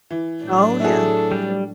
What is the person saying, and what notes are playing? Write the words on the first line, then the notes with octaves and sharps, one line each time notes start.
Oh yeah, true.
E3
A2 F#3 D4
E4 F#4 G#4 A4
G3